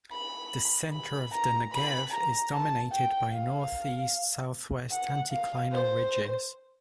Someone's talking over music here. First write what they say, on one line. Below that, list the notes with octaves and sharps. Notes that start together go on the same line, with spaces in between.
The center of the Negev is dominated by northeast-southwest anticlinal ridges.
B5
B5
A#5
B5
A#5
A5
G5
F5
F#5
F5
C5